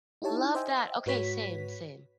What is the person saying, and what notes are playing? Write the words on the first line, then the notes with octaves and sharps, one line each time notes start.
Love that! Okay, same, same.
D#4 E4 G4 C#5 A5
C5 D#5 E5 G5 G#5
G#2 F#4 B4 C#5 B6